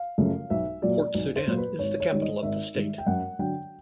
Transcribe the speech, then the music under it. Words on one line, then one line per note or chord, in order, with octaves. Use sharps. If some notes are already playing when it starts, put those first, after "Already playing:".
Port Sudan is the capital of the state.
Already playing: F5
F#2 C#3 F3 A3
B1 E5
A#2 F#3 A#3 D5
B1
C5
A#2 F#3 A#3
B4
G#1 C#5
C#5
G#2 D#3 G3
D#5
G#1 E5
G#2 D#3 G3
G5
F#2 F#5
D3 F#3 G5